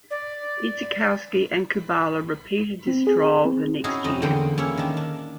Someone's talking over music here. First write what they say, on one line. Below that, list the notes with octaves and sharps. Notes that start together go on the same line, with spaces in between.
Idzikowski and Kubala repeated this trial the next year.
D5
C4
G#4
C4
C#4 D#4 E4 F#4 G#4
F2 D#4 D#5
E2 D3 A#3 F#5 G5 C6
A#3 C#4 E4 C#5
D#3 D4
D4